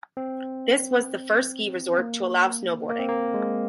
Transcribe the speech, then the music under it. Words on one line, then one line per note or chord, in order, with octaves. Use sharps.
This was the first ski resort to allow snowboarding.
C4
C4
A#3
A#3
C4
A#3
G#3